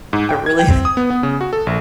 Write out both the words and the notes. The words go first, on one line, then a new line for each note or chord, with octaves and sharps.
a really
G#2
G5
G#6
G5
C4
D#6
B3
B3
C#3
F#4
A4
A#1